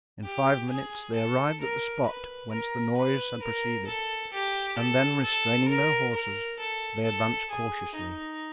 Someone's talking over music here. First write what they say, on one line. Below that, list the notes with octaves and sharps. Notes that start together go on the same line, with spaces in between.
In five minutes they arrived at the spot whence the noise had proceeded, and then restraining their horses, they advanced cautiously.
G4
G#4
A4
A#4
B4
A#4
B4
A#4
A4
G4
A4
A4
A#4
A#4
A4
A4
G#4
D#4